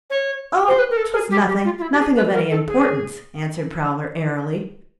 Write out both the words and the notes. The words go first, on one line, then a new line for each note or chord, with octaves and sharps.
"Oh, 'twas nothing--nothing of any importance," answered Prowler airily.
C#5
C5
B4
A#4
A4
G#4
G4
G4
F4
F4
E4
G4
G#4
B4
A#4
A4
G#4